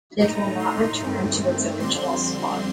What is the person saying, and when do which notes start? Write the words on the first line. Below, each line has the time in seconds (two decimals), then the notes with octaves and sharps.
It will not return to its original spot.
0.20 A2 A3 D#4 A#5
0.60 C6
1.01 G2 D#3 A3 C4
1.80 F2 D3 G3 C4 C6